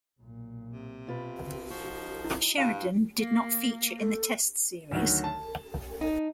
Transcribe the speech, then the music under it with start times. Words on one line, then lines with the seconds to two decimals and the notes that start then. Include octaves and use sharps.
Sheridan did not feature in the Test series.
0.20 B1 A#2
0.72 C3
1.07 B2 F4 B4
1.70 F3 D#4 F#4
2.24 E4
2.58 G2 F5
3.19 A#3
3.99 A4
4.91 D2 D#3 F#3
5.24 A5
6.01 D#4